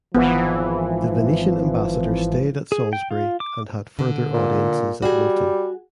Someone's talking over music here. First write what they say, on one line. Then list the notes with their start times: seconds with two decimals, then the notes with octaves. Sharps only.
The Venetian ambassadors stayed at Salisbury and had further audiences at Wilton.
0.15 G#1 E3 F3 B3
2.72 G#4
2.93 G5
3.11 F4
3.40 D6
3.99 D3
4.34 A#2
5.02 G3 F#4 G#4